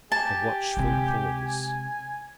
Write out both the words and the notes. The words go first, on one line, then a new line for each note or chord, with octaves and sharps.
A watchful pause.
G4 G#5 A5
C3 G#3 G#5